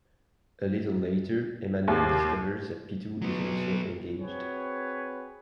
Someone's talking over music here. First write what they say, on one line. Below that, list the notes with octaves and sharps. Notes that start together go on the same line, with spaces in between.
A little later, Emmanuel discovers that Pitou is also engaged.
D#2
F#3 B3
C4 F#4 G#4 B4 C#5